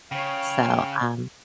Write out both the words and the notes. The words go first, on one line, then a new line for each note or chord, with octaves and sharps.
so, um,
C#3 C#5 F5 G5